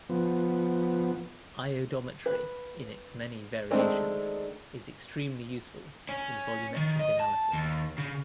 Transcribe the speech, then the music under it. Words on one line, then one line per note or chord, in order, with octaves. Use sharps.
Iodometry in its many variations is extremely useful in volumetric analysis.
F3 B3
B4
D#3 G#3 A3 C4 D4
C#4
D#3
D#5
A5
D#2
C#3